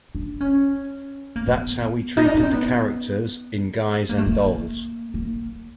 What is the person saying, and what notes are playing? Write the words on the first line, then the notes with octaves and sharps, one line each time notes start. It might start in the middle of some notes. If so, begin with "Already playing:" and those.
That's how we treated the characters in "Guys and Dolls".
D4
C#4
A#3
B3
D#4
D4
C#4
C4
B3
A#3
A3
A#3
A#3